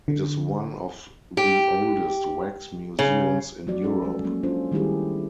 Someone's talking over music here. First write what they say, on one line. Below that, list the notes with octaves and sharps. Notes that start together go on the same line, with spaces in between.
It is one of the oldest wax museums in Europe.
D3
G4
C#3
F#3 A3 F#4 D5
C#4 A4
F3 G#3
F#3 A#3 C#4
C#4 D4 F4 A4 C5
D#3 G3 A3 E4 G4 G#4